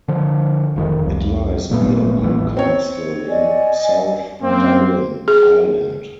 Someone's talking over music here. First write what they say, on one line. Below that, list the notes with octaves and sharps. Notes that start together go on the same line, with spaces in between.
It lies near Newcastle, in South Dublin, Ireland.
D3 F3
E1 F2 D#3
C2 F2
G#1 A#2 A3 B3
D#1 A1 E2 E3
C4 C#5
D5 D#5 G#5
F#2 A#3 C4
G#4